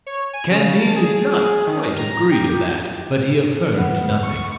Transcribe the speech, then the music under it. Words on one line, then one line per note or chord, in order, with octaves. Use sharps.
Candide did not quite agree to that, but he affirmed nothing.
C#5
G#5
C#3
A5
G#4
D#3
A#5
G4
G#2 D3 A3 B3
C#6